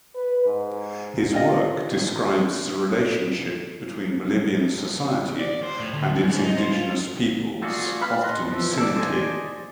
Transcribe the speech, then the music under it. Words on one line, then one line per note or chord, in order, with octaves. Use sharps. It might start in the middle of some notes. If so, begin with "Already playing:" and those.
His work describes the relationship between Bolivian society and its indigenous peoples, often cynically.
B4
G#2
D4 F4 G4 D#5
D5
C5
A2
D2
F#2
G#2
D#4
C5
F4
A3 F4 F#4 G#4 D5
B4 F5 B5 F6
D#5 A5 C6 F#6
E3 F3
A4 D5
C5 D5 D#5 G#5